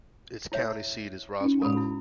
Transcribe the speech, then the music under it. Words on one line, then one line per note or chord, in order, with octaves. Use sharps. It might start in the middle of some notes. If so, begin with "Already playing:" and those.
Its county seat is Roswell.
E4 C#5 E5
C#4 D#4
A2 G#3 A4 B5
E4